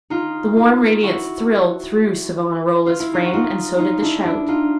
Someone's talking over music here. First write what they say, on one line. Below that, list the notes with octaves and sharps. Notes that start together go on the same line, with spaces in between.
The warm radiance thrilled through Savonarola's frame, and so did the shout.
D#4 F4
D#4 F4
E4 F#4
F4
E4
D#4 F4
F#4
D#4 F4
D#4 F4
D4 E4
D4 E4
D#4 F4